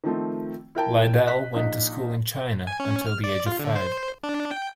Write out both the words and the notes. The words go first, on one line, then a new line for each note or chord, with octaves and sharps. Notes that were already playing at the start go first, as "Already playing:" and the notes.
Liddell went to school in China until the age of five.
D#3 F3 A3 C4
E4 A#4 G5 A5
D#5 F#6 B6
A#1 D#4
G#5
C#4
F6
D5
F4
D3
C5
D4
G5